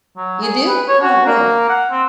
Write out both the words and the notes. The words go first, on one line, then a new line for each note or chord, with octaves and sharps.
You do? Oh, good.
F#3
G#4
B4
C#5
F#4
A#3
F#5
C4